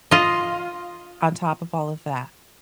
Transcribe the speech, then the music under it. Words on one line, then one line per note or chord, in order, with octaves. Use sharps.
on top of all of that.
F4 D#5